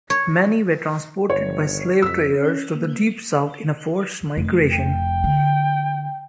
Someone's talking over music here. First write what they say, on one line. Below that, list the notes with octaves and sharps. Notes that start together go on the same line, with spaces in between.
Many were transported by slave traders to the Deep South in a forced migration.
C#5
G1 C#5
F2 E6 B6
C#4
A#3
F1 F2
G5
D3